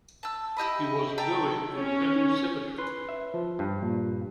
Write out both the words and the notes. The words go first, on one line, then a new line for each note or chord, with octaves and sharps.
He was buried in Bellu Cemetery.
A5 E6
E4 G4 D#5 B5
E5 G5 A5 A#5
C#4
B4 C6
E5
F3
G2
A#2